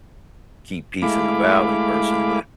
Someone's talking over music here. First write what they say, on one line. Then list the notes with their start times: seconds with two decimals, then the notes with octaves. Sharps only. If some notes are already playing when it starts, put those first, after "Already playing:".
keep peace in the valley person, but
1.02 G#3 A3 E4 F5 B5 D6